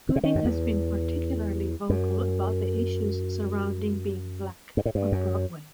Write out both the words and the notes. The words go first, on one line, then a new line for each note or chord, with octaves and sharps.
Gooding has been particularly vocal about the issues surrounding being Black on Broadway.
D#3
C3
D#3
F#2
E2
F#2
G2
A2
G2
F#2